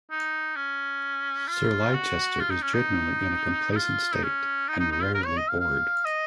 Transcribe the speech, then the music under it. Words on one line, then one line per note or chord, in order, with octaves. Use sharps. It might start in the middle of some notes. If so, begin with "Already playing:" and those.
Sir Leicester is generally in a complacent state, and rarely bored.
D#4
C#4
F4
F#4
F4
D#4
C#4
D#4
D#4
F4
D#4
C#4
D#4
D#4
D#4
F4
A#4
C#5
D#5
F5
F5
D#5